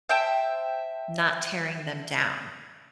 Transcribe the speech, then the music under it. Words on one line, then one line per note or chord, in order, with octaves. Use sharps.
not tearing them down.
C5 E5 G5 A5